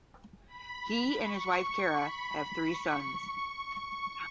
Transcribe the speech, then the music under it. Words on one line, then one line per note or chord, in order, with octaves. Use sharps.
He and his wife Kara have three sons.
B5
B5
C#6
C#6
B5
C#6